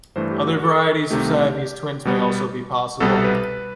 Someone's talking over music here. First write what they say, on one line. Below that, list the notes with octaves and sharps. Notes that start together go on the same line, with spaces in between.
Other varieties of Siamese twins may also be possible.
G2 E3 A3 C5
G4
F#4
A4
C2 C3 D#3 A3 G4
B2 G3 B3
C2 B2 G3 B3 A4
B4